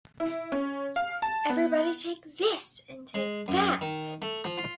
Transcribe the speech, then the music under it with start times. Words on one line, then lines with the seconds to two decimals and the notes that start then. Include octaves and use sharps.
Everybody take this, and take that.
0.20 E4
0.52 C#4
0.96 F5
1.22 A5
1.49 B3
3.14 G#3
3.48 F#2
3.81 D#3
4.22 A3
4.45 F3
4.58 F4